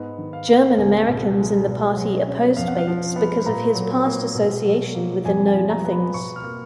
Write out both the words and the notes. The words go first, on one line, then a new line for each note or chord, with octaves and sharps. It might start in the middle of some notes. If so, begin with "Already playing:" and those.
German-Americans in the party opposed Bates because of his past association with the Know-Nothings.
Already playing: G#2 B3 D#5
D#3
F5
A#3
C#2 G#5
B2
F#5
G#3
B2
F#3
C#4
F2 F5
F#5
F5
F3
B3
A#2 A#5
F#3
A#3
B2
F#3
A#3
F2 G#5
G#5
F3
A#5
B3
B5
B2 C#6
F6
A#3